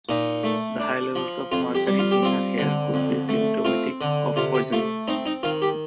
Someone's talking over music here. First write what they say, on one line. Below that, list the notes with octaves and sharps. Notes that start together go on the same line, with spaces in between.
The high levels of mercury in her hair could be symptomatic of poisoning.
A#2 D#4
A3
D4
F3
F2 F4
G4
G3
F4
G4
C4 F4
D3
F2
A3
C4 F4
D3
C3 F4
G4
A3 F4
C4 D#4
D#4
D#3 F4
G4